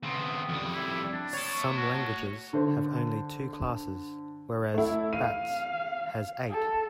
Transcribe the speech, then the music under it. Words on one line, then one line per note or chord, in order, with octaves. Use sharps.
Some languages have only two classes, whereas Bats has eight.
C#3 B3 C4
F2 G3
E4
D4
C#5 A5 C#6
F#4
D3 C5
A3 E4
F5 D#7
A4